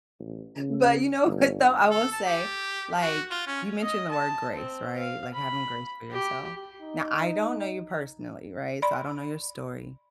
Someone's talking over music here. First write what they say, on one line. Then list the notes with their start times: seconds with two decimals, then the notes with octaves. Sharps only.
but, you know what, though? I will say, like, you mentioned the word "grace," right? Like, having grace for yourself. Now, I don't know you personally, right? So, I don't know your story.
0.19 A1
0.56 C#3
1.25 G1
1.91 A4
2.12 A5
2.26 G4
3.02 F#4
3.31 F4
3.47 C#4
3.83 D#5
4.11 A5
4.55 C4
4.98 F5
5.34 B5
6.11 G4
6.80 D#4
8.82 D5 B5 C6